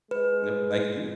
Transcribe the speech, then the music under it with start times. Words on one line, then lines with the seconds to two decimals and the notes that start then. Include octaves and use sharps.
Yep, thank you.
0.11 G#3 B4